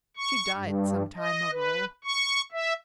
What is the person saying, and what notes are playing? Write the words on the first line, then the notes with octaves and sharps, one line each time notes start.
She died some time ago.
C#6
G2
D#5
B4
C#6
E5